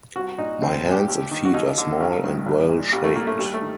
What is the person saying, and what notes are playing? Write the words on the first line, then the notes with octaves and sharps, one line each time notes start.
My hands and feet are small and well-shaped.
C2 F#4
A#2 D#4
A#1 C4
A#2
G4
D#2
D#3
F#4
D#2 D#4
D3
A1
G2 D#3
A#1
A#2
A1 G3
A3
A2 A#3
A3
D#2 G3
A3
D#3